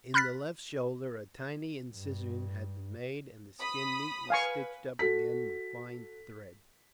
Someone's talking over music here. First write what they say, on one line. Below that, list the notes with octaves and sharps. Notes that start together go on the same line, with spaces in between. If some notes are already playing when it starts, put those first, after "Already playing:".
In the left shoulder a tiny incision had been made and the skin neatly stitched up again with fine thread.
B5 F6 F#6 A6 B6
G2
B5 D#6
B4 F5 G#5 C#6
F#4 A4 B6